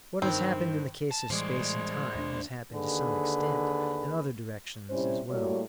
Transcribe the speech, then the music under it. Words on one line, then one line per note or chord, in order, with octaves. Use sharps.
What has happened in the case of space and time has happened, to some extent, in other directions as well.
G2 D#3 C4
A5
A2 E3 G3 G#3 C5 D5
D#2 D4
D#2 D3 G#4 B4
C3 G3 C#4 E4 C5
A2 G3 A#3 F#4 C#5